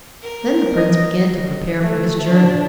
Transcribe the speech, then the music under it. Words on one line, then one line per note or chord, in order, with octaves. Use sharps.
Then the prince began to prepare for his journey.
A#4
D#5
A3
D4